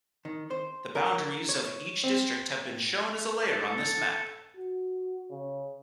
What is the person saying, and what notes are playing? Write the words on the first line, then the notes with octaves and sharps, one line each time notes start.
The boundaries of each district have been shown as a layer on this map.
D#3
C5
A#4
C#5
C4
A4
F#4
C#3